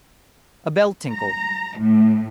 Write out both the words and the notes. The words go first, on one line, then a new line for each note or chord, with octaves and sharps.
A bell tinkled.
A#5
A2